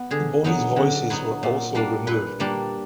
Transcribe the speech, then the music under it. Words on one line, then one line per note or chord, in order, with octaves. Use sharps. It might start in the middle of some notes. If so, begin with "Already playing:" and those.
The boys' voices were also removed.
Already playing: B3
D3 G#4
F#3 B3 D#4
D3
F#3 B3 D#4
A#2
G3 A#3 D4
A#2 B4
G3 A#3 D4